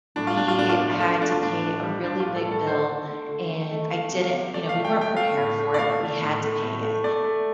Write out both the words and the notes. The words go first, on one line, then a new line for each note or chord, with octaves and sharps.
we had to pay a really big bill and I didn't you know, we weren't prepared for it, but we had to pay it.
A2 D4
F4
A2 D4
F4
A2 D4
F4
A2 D4
F4
A3 D4
F4
A3 D4
F4
A2 D4
A2
G3
G3 D4
A2 F4
A4
A2
A4
D3 C5
D3
A3
D3
A3
A3
A3 F5
C3
F5
C3
A3 D5
F5
A3
G5
A3
G5
A3 F5
A2
A3
D5
A3 F5
A3
A2
A3
A2
A3
A3 D5
A3